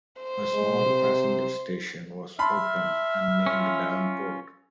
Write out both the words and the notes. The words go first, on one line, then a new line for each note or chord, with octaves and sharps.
A small passenger station was opened and named Davenport.
C5
G#3
C3
E5 A5 B5 C6 F6
C#4 F4